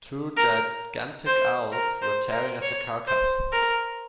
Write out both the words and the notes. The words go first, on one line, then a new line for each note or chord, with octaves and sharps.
Two gigantic owls were tearing at the carcass.
A#4
C5
A#4
C5
A#4
C#5
C5
A#4